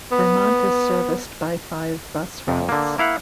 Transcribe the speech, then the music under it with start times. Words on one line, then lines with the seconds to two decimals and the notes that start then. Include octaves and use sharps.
Vermont is serviced by five bus routes.
0.12 B3
2.48 F2
2.69 D3 A#3
2.98 A#3 E4 F5 F#5